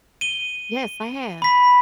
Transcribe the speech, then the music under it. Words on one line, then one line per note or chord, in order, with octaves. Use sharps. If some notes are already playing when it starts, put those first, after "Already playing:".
Yes, I have.
D#7 G7
B5 B6